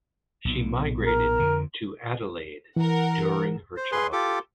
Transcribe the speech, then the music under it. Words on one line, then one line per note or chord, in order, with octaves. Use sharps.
She migrated to Adelaide during her childhood.
B1 A#2
A#4
F2 D3
E3 A#4 F#5
C5
G#4 B4 C6
F4 G4 A4 D6